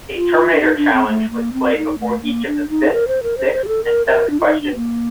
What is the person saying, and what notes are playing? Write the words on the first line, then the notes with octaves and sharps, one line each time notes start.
A Terminator challenge was played before each of the fifth, sixth, and seventh questions.
F4
D4
D#4
D4
C4
A3
A#3
C4
D#4
A3
A#3
D4
D#4
A#4
C5
A#4
C5
C5
G4
A4
A#4
A#4
D4
F4
D#4
D4
A#3